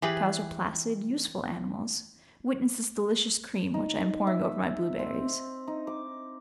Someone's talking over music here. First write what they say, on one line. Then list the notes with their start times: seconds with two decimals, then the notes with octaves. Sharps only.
Cows are placid, useful animals--witness this delicious cream which I am pouring over my blueberries.
0.02 E3 G4 G#4 B4
3.74 D#4
4.27 E5
4.99 C4
5.67 D#4
5.87 D6